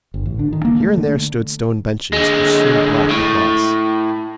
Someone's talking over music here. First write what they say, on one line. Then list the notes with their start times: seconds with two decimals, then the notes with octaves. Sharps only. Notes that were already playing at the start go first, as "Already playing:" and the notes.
Here and there stood stone benches which seemed black with moss.
0.14 G1
0.26 A1
0.39 D3
0.53 D#3
0.65 A#3
0.80 A3
0.98 D3
2.13 D3 G#3
3.10 A2